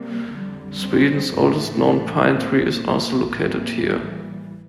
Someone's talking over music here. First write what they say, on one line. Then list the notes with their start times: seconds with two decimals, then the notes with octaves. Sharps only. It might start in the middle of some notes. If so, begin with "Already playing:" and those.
Sweden's oldest known pine tree is also located here.
Already playing: C3 G3 A#3
0.30 F2 D3 G3
0.82 C4
1.33 A2 E3 A3
1.84 D4
2.35 A#2 A3 C4
2.86 A#3
3.37 A2 E3 G3 A#3 C4
3.89 A#3